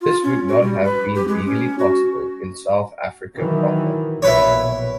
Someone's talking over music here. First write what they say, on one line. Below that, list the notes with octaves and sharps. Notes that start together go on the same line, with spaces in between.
This would not have been legally possible in South Africa proper.
F4
C#4
F#4
G3
B4
G4
G#3
C#4
F#4
D#3 E3 F#3
A#1 B2 E4 B4 C#5